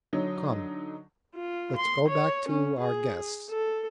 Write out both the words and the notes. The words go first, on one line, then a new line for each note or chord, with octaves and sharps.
Come, let 's go back to our guests.
D3 F#3 D#4
F4
C6
C#5
C#4
G#4
A4